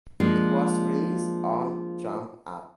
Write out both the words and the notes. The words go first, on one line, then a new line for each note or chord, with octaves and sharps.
It was released on Jump Up!
F3 G#3 A#3 D4